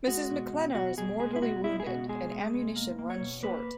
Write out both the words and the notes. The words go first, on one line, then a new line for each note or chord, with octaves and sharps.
Mrs. McKlennar is mortally wounded and ammunition runs short.
G#3 F#4
B2
B2
B2 F#4
B2 G#4
G#3 G#4
E4
B2 F#4
G#3 E4
G#4
B2 F#4
G#3 G#4
G#3
B2
A#3
A#3
C#5
B2
A#3 B4